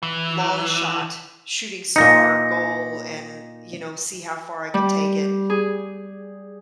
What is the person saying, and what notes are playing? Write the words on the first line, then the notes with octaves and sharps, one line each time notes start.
long shot shooting star goal, and, you know, see how far I could take it,
E3
A#2 D#4 A#6 C#7
G3
G#4